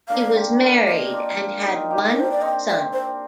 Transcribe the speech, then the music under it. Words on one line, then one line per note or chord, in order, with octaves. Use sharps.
He was married and had one son.
A#3 D4 F5
C4
A#3
A#3 D4 D#5 F5
D4 F4
D#4 G4
D#4 G4
A#4
A#3 D4 C5
D5
C4 D#5
D5
C4
C5